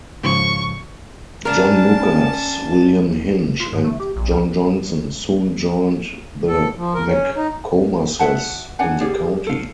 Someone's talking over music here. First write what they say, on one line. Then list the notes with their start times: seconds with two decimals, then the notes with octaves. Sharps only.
John Lucas, William Hinch, and John Johnson soon joined the McComases in the county.
0.24 G#2 C#3 F3 C#6
1.45 A#3 B3 C#4 D4 A#4 A5
3.60 F4
3.72 G#2
3.84 A3
4.00 G4
4.16 A#1
4.31 C#2
6.48 A4
6.77 F3
6.95 A#4
7.08 C#4
7.36 D#4
8.19 F#4 E5 F#5 A5
8.79 D4 D5 F#5 G#5
9.00 G4 G#4 D5 F5
9.47 A4 F5